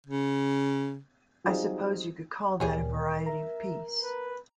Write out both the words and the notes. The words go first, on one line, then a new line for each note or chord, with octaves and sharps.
I suppose you could call that a variety of peace.
C#3
F#3 G3 C4 D#4 F4 G#4
D2 A#2 G3 G#4 A#4 C#5
E5 A#5
B4